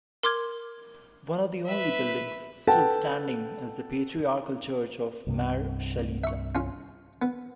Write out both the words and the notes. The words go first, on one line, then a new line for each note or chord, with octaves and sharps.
One of the only buildings still standing is the Patriarchal church of "Mar Shalita".
A#4 C6 D6 F6 G#6
B4 E5
A4 B4 F#5 G5 A5
C2 G2 C3
E5 C#6
C#4 F4
B3